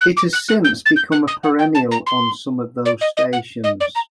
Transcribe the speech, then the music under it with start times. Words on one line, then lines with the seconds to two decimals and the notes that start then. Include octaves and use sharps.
It has since become a perennial on some of those stations.
0.01 F#6
0.17 D6
0.33 F#6
0.48 F#6
0.64 G6
0.85 A6
0.96 G6
1.12 F#6
1.27 D#6
1.43 F#5
1.59 G5
1.75 A5
1.91 A#5
2.06 C6
2.85 D5
3.01 D#5
3.17 D#5
3.33 F#5
3.64 D#5
3.80 D5
3.95 A#5